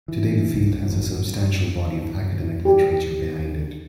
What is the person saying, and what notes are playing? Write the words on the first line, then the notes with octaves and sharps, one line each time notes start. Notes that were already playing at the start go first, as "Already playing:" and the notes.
Today, the field has a substantial body of academic literature behind it.
E3
C2
G#1 F2 A2 D#3
G4